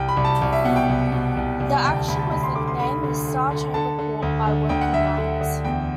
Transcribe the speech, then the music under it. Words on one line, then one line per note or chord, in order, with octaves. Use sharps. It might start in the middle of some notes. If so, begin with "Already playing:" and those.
The action was nicknamed the "star chamber court" by working miners.
Already playing: C2 G5
B5
C2
A5
C2
E5
B2 F#5
G5
C2
B2
C2
C2
D2 G5
A5
D2 B5
A5
D2 B5
C6
D3 D6
C6
D3 B5
D3
D3
D3
D3 A5
D3
D2
D3
D2 G5
F#5
D2 E5
E5
D3
D2
E2 G5